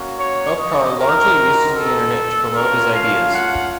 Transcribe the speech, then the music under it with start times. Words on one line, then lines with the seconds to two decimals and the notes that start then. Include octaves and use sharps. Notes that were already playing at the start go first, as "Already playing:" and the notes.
Oktar largely uses the Internet to promote his ideas.
Already playing: A#3 C#4 F#4
0.19 C#5
0.58 D#5
0.97 C4 D#4 F#4 A#4
1.76 A4
2.54 A3 C#4 F4 A#4
2.94 F5
3.33 F#5